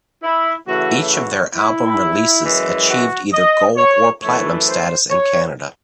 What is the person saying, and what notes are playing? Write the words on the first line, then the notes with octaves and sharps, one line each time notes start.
Each of their album releases achieved either gold or platinum status in Canada.
E4
C#3 E3 A3 F#4
F#4
E4
F#2 E3 G#3
F#4
D#5
C#5
F#2 E3 A3 C#5
C5
C#5